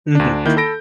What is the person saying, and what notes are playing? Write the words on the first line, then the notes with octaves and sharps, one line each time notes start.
Mhm. T
D2 D4
D#3 A#3 E4 G6
A4 B5 A#6 D7